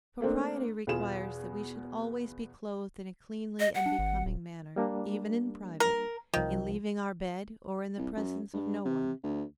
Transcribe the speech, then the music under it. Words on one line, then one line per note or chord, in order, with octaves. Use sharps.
Propriety requires that we should always be clothed in a cleanly and becoming manner, even in private, in leaving our bed, or in the presence of no one.
A3 A#3 C4 D4
E2 B2 B3 F4 G#4 E7
D#5
F#5
D4
G#1
D#1
G3 A#3 D4
A#4
C2 D#3 F3
C2
F#2
G2
C3
D2